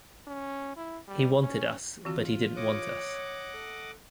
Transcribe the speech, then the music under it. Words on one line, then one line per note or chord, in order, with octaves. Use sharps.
He wanted us but he didn't want us.
C#4
E4
G3
C#4
E3 C4 F4 F#4
C#5 D#5 F#5 D6
A4